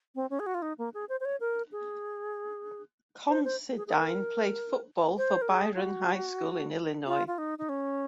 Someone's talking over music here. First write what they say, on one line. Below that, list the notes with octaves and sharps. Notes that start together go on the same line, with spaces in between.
Considine played football for Byron High School in Illinois.
C4
C#4
G#4
F#4
F4
D#4
A#3
G#4
C5
C5
C#5
A#4
G#4
C5
C5
G#4
G#4
A#4
C5
A#4
G#4
F4
F#4
F4
F4
D#4
D#4
C#4